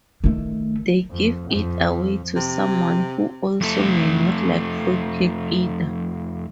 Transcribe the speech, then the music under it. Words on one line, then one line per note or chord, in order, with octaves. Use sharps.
They give it away to someone who also may not like fruitcake either.
D#3 A3
F2
F2
C3
F2 A3 A4